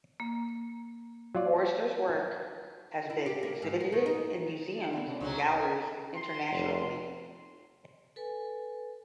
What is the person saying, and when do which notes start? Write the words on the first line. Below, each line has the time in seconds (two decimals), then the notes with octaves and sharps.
Foerster’s work has been exhibited in museums and galleries internationally.
0.20 A#3
1.35 F#3 F4 D5
3.10 E4
3.26 G4
3.43 A#3
3.62 G#2
3.80 A#3
3.92 D#3
4.06 D#4
4.77 D5
4.93 B3 C4
5.07 C3 C#4 D4
5.21 C#2 G#2 C3 F#3 C#4 F#4
6.16 C6
6.51 F1
8.16 A4 B4 G#5